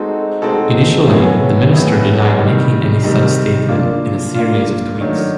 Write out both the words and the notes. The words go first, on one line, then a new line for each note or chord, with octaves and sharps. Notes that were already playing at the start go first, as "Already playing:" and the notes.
Initially the minister denied making any such statement in a series of tweets.
Already playing: G#3 C4 D#4 F#4 A4
G#3 C4 D#4 F#4 A4
A2 F#3 B3 E4 G#4
A2 F#3 B3 E4 G#4
C3 D#3 G3
C3 D#3 G3
A#3 D4 F4
A#3 D4 F4
D#3 F#3 A3 D4